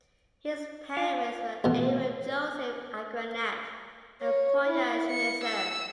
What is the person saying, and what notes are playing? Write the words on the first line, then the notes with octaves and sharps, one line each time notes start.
His parents were Aaron Joseph Agranat and Polya Schnitzer.
F4 F5 G#5
A1 B2
C#5
E4
C#7
E6